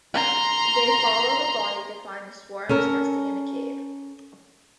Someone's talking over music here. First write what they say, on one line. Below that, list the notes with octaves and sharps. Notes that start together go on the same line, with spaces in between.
They follow the body to find the swarms nesting in a cave.
A#5 C6
C#4 A4 A#4